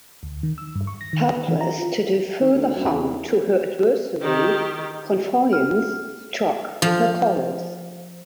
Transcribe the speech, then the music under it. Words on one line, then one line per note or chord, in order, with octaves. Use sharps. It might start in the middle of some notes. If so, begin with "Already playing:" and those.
Helpless to do further harm to her adversary, "Confiance" struck her colors.
D2
D#3
E6
G2
C#6
A#6
D#3
B4
E3
A#5
F4
D#3
D2
F#2
E2
D#3 G4
F6
F3